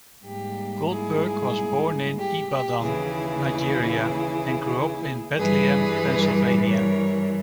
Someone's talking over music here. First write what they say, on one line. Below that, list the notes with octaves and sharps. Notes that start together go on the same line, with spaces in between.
Goldberg was born in Ibadan, Nigeria and grew up in Bethlehem, Pennsylvania.
G#2 G3 A#3 G4
E4 G#4
G4
G4
D#2 C#3 E3 E4 G#4
G2 E3 G3 G#4 B4
A#4 C#5